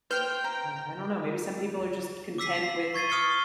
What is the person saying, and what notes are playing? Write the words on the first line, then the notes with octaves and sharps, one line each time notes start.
I I don't know, maybe some people are just content with
B4 C5 G5 F6 G6
A#5
D6 E6 B6 C7 D#7
C7
C#6 G#6 A6 C7 D#7
C#6 D#6 F6 A6 C#7 G7